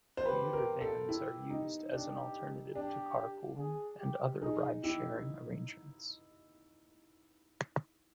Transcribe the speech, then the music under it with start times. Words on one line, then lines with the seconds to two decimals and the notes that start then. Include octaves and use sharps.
Commuter vans are used as an alternative to carpooling and other ride sharing arrangements.
0.17 C5
0.25 G4 B4
0.53 A#4
0.81 A4
1.09 E4 G4
1.50 D#4
1.92 D4 G4
2.74 D4 G4
3.58 G#4
3.99 G4
4.42 D#4 G#4
4.83 E4 G4